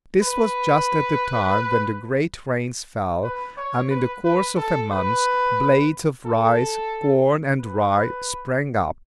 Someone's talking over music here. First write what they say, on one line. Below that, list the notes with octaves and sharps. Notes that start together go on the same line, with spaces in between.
This was just at the time when the great rains fell, and in the course of a month, blades of rice, corn, and rye, sprang up.
B4
B4
C#5
B4
B4
A4
B4
A4
B4